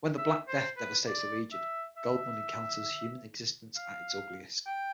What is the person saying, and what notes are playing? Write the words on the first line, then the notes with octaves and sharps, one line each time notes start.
When the Black Death devastates the region, Goldmund encounters human existence at its ugliest.
E5
C5
B4
D5
E5
E5
F5
G5